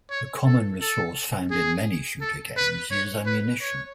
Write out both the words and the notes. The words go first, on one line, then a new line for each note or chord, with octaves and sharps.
A common resource found in many shooter games is ammunition.
C#5
A4
A4
G#4
A4
B4
C#5
B4
C#5